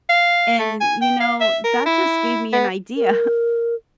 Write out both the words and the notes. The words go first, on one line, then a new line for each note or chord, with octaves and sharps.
and you know, that just gave me an idea,
F5
A3
G#5
G5
F5
E5
A#4
E4
B3
A#4